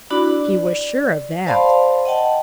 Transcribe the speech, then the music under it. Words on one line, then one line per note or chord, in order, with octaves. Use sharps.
He was sure of that.
D4 E4 F#4 D5 B5
D5
C5 D5 F5 A5 B5 C6
D#5 F#5 G5 A5